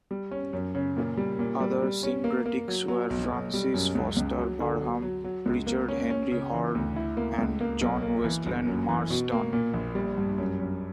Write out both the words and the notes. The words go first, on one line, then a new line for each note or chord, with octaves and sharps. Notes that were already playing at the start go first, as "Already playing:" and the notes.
Other Syncretics were Francis Foster Barham, Richard Henry Horne, and John Westland Marston.
G3
C#4
F#2
C#3
A#2
G3
A#2
G3
G3
C#4
A#3
A#3
F#3
F#3
B1
B1
G3
F#2
C#2
C#2
F#3
D3
F#3
F#3
F#3
C#2
A#3
C#4
C#4
C#3
E3
D2
E4
A#3
C#2
A#3
B1
A#3
E3
G1
F#2
E3
B2
A#3
A#2
A#1
G3
G2
F#2
F#2